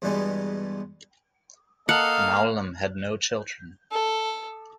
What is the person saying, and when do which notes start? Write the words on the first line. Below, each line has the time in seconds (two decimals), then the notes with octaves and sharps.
Mowlam had no children.
0.02 E2 G2 B2 G3 G#3 B3
1.89 A#3 A4 D#5 F5 F#5 A5
3.91 A4